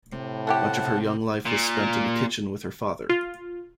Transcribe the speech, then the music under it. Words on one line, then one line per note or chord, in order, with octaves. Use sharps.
Much of her young life was spent in the kitchen with her father.
A2 C3
A3 E4 G4 F#5 A5
A#2
F4